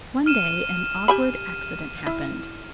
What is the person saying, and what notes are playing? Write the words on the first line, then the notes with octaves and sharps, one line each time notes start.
One day an awkward accident happened.
F6 D#7 E7
G4 G#5 B5
E4